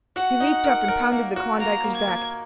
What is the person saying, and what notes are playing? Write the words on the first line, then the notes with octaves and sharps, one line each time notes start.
He leaped up and pounded the Klondiker's back.
F#4 F#5
D#4
A#4
A#4
A#3
F#4
A#3 A#5
A#3
G#6
A#3